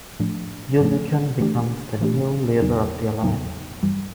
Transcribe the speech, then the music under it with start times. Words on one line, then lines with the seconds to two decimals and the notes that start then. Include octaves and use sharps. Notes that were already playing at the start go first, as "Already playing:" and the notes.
Yue Buqun becomes the new leader of the alliance.
0.20 A2 F3 A3 D4
0.81 A2 F3 A3 D4
1.41 E3 A3 D4 G4
2.01 E3 A3 D4 G4
2.62 E2 C#3 F#3 B3 D#4
3.22 E2 C#3 F#3 B3 D#4
3.83 G2 E3 G3